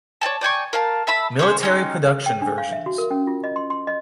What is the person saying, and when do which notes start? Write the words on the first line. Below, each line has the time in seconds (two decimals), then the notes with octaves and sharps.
Military production versions.
0.21 C#5 D5 G#5 A5
0.41 D5 G5 G#5 C#6
0.73 A#4 F5 A5
1.07 E5 A5 B5 E6
1.39 C#4 G#4 C5 C#5
1.61 C4 C#4 D#4
2.26 G5
2.42 D4
2.58 F5
2.73 E5
2.86 F#4
2.98 A#4
3.11 C#4
3.27 F4
3.44 D#5
3.56 C6
3.70 C6
3.87 D#5